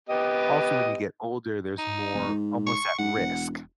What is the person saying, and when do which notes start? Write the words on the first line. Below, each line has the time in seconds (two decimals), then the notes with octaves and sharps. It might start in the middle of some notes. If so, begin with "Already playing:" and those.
Also when you get older, there's more almost at risk.
0.09 B3 G4 D#5
1.78 D#4
2.14 F1
2.29 G#2
2.67 C#6
2.98 G#2 F#5
3.16 E1